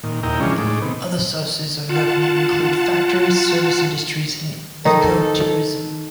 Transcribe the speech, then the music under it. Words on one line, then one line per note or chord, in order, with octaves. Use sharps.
Other sources of revenue include factories, service industries and ecotourism.
A#2 D#3
D#2 A#2 E4 D#5 G5 A#5
C#3 E3 F3 G#3 C#4 D4
A2 G#3 A3 D#4 D6
C3 D#3 B3
F4 F#5 A5
D#3 D#4 A4